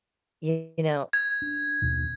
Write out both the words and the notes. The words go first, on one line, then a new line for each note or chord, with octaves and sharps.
you know
G#6
D4
D#2 B2 D#3